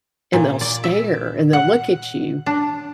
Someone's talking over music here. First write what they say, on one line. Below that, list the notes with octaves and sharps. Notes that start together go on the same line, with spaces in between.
and they'll stare, and they'll look at you.
A#2
D5
E5
F#5
D4